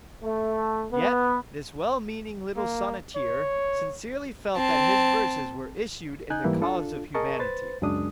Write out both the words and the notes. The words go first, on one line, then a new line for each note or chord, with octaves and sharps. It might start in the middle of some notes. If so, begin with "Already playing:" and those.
Yet this well-meaning little sonneteer sincerely felt that his verses were issued in the cause of humanity.
A3
B3
A#3
C#5
C4 A5
D#4 G#5 F#6 G6
G#2 E3 G3 A#3 E4
D4 F4 A4
G#4 A#4 D#5 A5 C#6
B4 C5 A6
C#2 F#2 F#3 G#3 D4 D#6